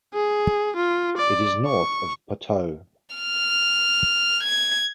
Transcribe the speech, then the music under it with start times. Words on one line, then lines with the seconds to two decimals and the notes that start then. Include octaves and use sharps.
It is north of Poteau.
0.14 G#4
0.76 F4
1.17 D5
1.66 C#6
3.16 F6
4.44 G#6